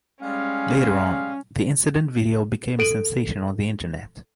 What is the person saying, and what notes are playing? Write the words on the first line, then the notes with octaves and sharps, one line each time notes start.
Later on, the incident video became a sensation on the Internet.
G3 G#3 C#4 F5
A4 D7 D#7 F#7